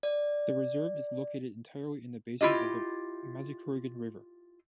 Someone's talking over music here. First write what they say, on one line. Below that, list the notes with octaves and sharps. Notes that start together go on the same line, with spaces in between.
The reserve is located entirely in the basin of the Manicouagan River.
D5
E4 F4 G4 D#5